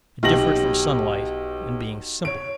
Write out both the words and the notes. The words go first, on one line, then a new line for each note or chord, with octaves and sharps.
It differed from sunlight in being simple.
B1 G4 A#6 F#7
C#5 D7